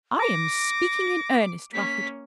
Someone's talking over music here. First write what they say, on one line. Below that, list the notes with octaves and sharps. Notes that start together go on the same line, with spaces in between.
I am speaking in earnest, Rufford.
D6 A#6
A#3 C#4 B6